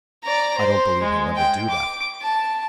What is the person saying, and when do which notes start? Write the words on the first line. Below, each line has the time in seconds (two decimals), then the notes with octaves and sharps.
"I don't believe he'll ever do that."
0.24 D5 A#5
0.58 C5
1.02 G#3
1.36 G5
1.70 D6
2.22 A5